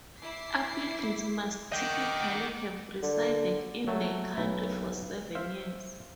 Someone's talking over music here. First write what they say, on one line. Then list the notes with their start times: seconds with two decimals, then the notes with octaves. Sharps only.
Applicants must typically have resided in the country for seven years.
0.19 E4 D6 C7
1.72 D#5 F#5 G5 D6
3.03 D3
3.87 F#3 A3
4.36 B1 E4 A#5
5.35 C5 E5 F5